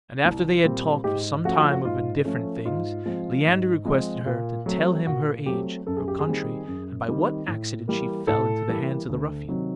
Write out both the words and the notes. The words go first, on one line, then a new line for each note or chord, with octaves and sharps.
And after they had talked for some time of indifferent things, Leander requested her to tell him her age, her country, and by what accident she fell into the hands of the ruffians.
C2
A#2 G3 C4
G#2 G4
F3 A3 C#4 F#4
F4
F#4
G#2 F4
F3 A3 C#4
G#2 F4
F3 G#3 C4
G#2
F3 G#3 C4
A#2
F#3 A3 C4
A#2 F#4
F#3 A3 C4 G4
F#2 A4
G#4
G4
G#4
D#3 G3 C4
F#2
D#3 G3 C4
A2
E3 G3 A#3
A2 A4
E3 G3 A#3
D2
C3 D#3 F#3